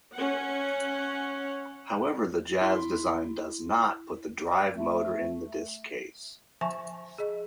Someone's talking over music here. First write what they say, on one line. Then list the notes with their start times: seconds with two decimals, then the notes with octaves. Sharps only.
However the Jaz design does not put the drive motor in the disk case.
0.14 C#4 F#5
2.61 E4 C6
4.75 A3
6.61 F3 E5 G#5 A5 C#6
7.18 G#4 D#5